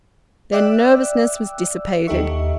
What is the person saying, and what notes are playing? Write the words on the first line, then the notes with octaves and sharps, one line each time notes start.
Their nervousness was dissipated.
D5 E5 G5 D6 E6 F#6
D#2 D#4 G4 A4 E5 C#6